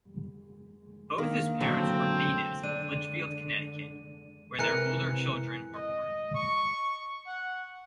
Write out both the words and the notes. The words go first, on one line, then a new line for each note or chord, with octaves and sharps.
Both his parents were natives of Litchfield, Connecticut, where their older children were born.
D#3 A#3 D4 F5
D3 F#3 A3 C4
D3 D4 D#7
C3 E3 A#4 G#5 F#6 C#7
D#5
C#6
F#5